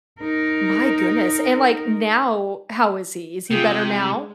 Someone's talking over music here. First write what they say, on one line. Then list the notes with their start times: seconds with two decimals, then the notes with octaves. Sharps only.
my goodness, and, like, now, how is he? Is he better now
0.21 D#4 A#4
3.51 C3 F4 G#4 G5
3.91 G#3 E4